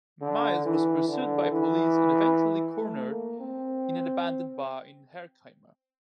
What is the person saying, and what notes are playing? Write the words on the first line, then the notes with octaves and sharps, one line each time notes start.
Myers was pursued by police and eventually cornered in an abandoned bar in Herkimer.
D3
E3
D3
E3
A3
A#3
C4